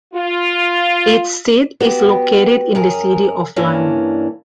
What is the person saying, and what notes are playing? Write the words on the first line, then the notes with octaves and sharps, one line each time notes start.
Its seat is located in the city of Lund.
F4
B3 F#4 G4
F#2 G#4 A#4
G2 E3 A#3 C#4 D4